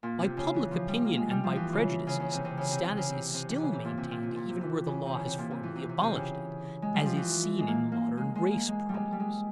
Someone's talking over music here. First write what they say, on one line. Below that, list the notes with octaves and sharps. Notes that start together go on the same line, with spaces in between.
By public opinion and by prejudices, status is still maintained even where the law has formally abolished it, as is seen in modern race problems.
A#2
C3
C#3
E3
F3
G3
A#3
G#3
G3
F3
E3
C#3
C#3
C#3
C3
C3
C#3
C3
C3
C#3
C3
C3
E3
C#3
C3
A#2
C3
A#2
C3
A#2
C3
E3
C#3
C3
C#3
C3
A#2
C3
E3
C3
C3
C3
C#3
G#3
G3
F3
E3
G#3
A#3
A#3
G#3
G#3
A#3
G#3
G3
G#3
G3
G#3